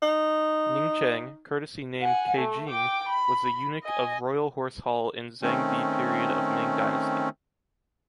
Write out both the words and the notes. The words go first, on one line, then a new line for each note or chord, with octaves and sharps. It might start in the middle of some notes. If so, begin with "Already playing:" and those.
Ningcheng, courtesy name Kejing, was the eunuch of Royal Horse Hall in Zhengde period of Ming Dynasty.
D#4
F#5 G#5
A3
G5 D6
B5
D#5 G#5
D#3 A3 C4 C#4